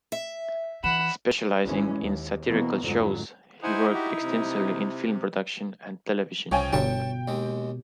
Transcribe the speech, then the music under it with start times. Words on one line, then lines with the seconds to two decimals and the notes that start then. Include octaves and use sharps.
Specialising in satirical shows, he worked extensively in film production and television.
0.12 E5
0.84 E3 F#5 B5 E7
1.63 G#1 E3 G#3 C#4
1.98 D#2
2.44 B2 E3 A#3 C4
2.82 F2 G#2 D3 F#3
3.63 D#4 E4 C5 F#5 G#5
3.93 F#4 G4
4.22 C3
6.52 C2 C#3 F3 C#5 G5 G#5
6.73 G1 B2 C#5 G5 A5
7.28 D#2 G#3